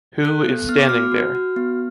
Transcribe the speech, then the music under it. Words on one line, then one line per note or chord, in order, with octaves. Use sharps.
Who is standing there?
A4 F#6
B3
B3 F6
D6
F#4 F6
F#4
F#4
B3